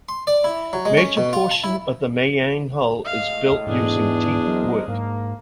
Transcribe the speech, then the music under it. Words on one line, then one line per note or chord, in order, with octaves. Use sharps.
Major portion of the mayang hull is built using teak wood.
C6
D5
E4
F#3
G#3
C#4
B2
F4
A5
E4
A2 G#3 D#5 F5
E2 G#2 D4 G#4
F#3 A#4 C5 D#5
G#2 A#3